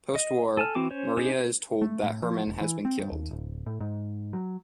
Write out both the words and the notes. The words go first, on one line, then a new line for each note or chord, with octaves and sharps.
Postwar, Maria is told that Hermann has been killed.
D#5
A4 G#5 A5 F6
E3 C4 F#4 D6
C#4 C5 C#5
C#4 D#4 G4 G#4 C5
A3
A2
F3
E1
E3
C4
G2
D#2
D1
A2
G#2
F#3